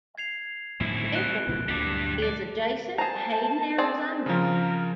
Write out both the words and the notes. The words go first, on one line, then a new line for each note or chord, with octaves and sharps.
Winkelman is adjacent to Hayden, Arizona.
G#6 C7 F7
A2 D3 D#3 C4 E4
F#6 D7 G7
C2 A#2 A#3
D2 A#2 F#3 G3 D4
D5
G#4 C5 A5 A#5
C4 G#4 D5
C#3 F3 A#4